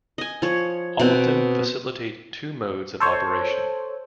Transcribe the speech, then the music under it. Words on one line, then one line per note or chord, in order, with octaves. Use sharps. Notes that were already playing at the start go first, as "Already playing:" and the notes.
All of them facilitate two modes of operation.
D#5 G#5
F3 C#5
B2 C4 G5
A4 C5 C#5